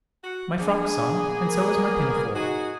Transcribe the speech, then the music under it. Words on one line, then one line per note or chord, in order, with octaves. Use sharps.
"My frock's on, and so is my pinafore."
F#4
A#3 B3 D4 G#4
A#4
D#4 F#4 G#4